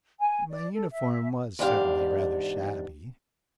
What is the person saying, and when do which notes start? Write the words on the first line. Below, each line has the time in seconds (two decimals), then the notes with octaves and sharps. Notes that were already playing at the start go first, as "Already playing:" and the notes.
My uniform was certainly rather shabby.
0.20 G#5
0.50 D5
0.74 A4
0.91 E5
1.59 E2 G#2 D4 G4 F5